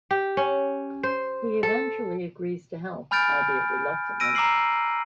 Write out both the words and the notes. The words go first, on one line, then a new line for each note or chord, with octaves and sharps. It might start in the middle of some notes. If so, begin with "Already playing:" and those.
He eventually agrees to help, albeit reluctantly.
G4
C#4
C5
A4
G#5 B5 F6 G6 A6 D7
E6 A#6 D7 D#7
A#5 D6 E6 C7 F#7